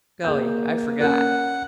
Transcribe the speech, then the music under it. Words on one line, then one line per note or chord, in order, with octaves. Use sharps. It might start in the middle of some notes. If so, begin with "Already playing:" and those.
Golly, I forgot.
A#3 G#4 G6
C#4 A#4 F#5